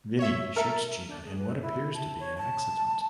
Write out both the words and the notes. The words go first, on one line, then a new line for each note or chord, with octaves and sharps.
Vinnie shoots Gina in what appears to be an accident.
C#5 E5
A4 A#4 E5
D4
G#4
B4
E4
A5
C#5
A5